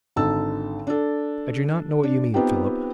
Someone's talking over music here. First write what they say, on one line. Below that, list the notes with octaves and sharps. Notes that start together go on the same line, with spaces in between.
"I do not know what you mean, Philip."
G#1 D3 D#4 A4 A5 E6
D4 A4
D4
B3 C4 D#4 F4 G4